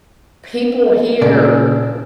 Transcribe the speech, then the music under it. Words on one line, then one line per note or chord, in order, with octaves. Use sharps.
people here,
A#2 C#3 D4 D5